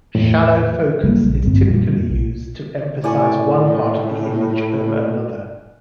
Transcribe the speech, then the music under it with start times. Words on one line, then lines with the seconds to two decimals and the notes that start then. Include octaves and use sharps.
Shallow focus is typically used to emphasize one part of the image over another.
0.15 E2 A2
1.03 C#3 F#3 G3 A#3
1.23 A#1
1.44 A1 D2 G2 C4
1.69 F2 A#2 G3
2.10 B1
3.04 A2 D5 G#5 C#6